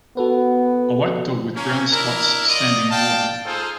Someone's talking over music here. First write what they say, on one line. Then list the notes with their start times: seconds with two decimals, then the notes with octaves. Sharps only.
A white dog with brown spots standing in water.
0.17 B3 F#4 A4 B4
1.55 A#3 C#4
1.91 D4 E4 A#4
2.48 F4 D5 D#5
2.90 D5 F5 G5 A5
3.45 D#4 F4 G#4 A4 C5